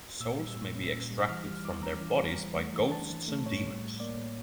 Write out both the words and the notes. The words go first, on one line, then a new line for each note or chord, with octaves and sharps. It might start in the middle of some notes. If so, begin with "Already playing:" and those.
Souls may be extracted from their bodies by ghosts and demons.
A#2 E6
G3
A#2
C#4
A#2
G3
E3 F6
G3
E3 D6
C#4 A#5
E3
G3
E3
A3
E3
D4 A5
E3
A3
A2 C#5
G3
A2
A#3 D5
A2